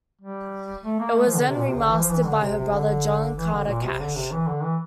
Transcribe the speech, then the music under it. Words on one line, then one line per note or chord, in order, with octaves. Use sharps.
It was then remastered by her brother John Carter Cash.
G3
A3
A#3
A3
F3
D3
C3
A#2
C3
D3
E3
F3
E3
D3
C3
C3
D3
E3
D3
A#2
C3
D3
C3
E3
D3
E3